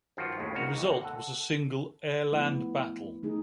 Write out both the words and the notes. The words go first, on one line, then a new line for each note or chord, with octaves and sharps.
The result was a single AirLand Battle.
G2 D#3 F3 F4 F#4
D#2 A2 C#3
C2 A#3 D#4 F#4 A#5
G#1 D#2
A4 F#5
F3 A3 B3 E4
A3 D#4 G#4